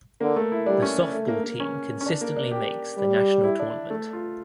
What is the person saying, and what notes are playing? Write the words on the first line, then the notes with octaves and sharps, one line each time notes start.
The softball team consistently makes the national tournament.
D3 A#3
A3
E4
G3 D4
C#4
A3
A#3
A#3
C#4
C#4
D4
A#3
D4
G4
G3
E4
D4
A3
F4